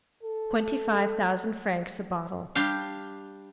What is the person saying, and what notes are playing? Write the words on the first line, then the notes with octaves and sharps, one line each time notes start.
"Twenty-five thousand francs a bottle."
A4
G3 D4 G4 F5